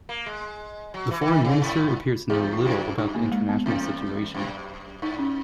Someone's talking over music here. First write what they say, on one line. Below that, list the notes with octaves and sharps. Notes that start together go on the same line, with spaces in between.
The foreign minister appears to know little about the international situation.
A#3
G#3
F#3
E3
E3
D#3
C#3
G#2
E2 G#4
E4
F#2 F#4
F#2 D#4
A#3
G#3
B3
E2 C#4
F#2
G#2 D#4
C#4